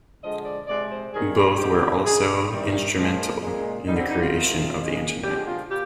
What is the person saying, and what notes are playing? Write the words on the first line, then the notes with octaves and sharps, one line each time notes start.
Both were also instrumental in the creation of the Internet.
D3 F3 G#3 D#5
D5
C3 F3 G#3 D5
C5
C3 D#3 G3 G#4
G4
D3 F3 G#3 G4
D3 G#3 G#4
C3 D#3 G3
A#2 F3 G#3
A#2 G#3
D3 G3 D#4
C4
D#4
F4
C3 D#3 G#3
A#2 G#3
D3 F3 G#3 G4
F4
A#2 G4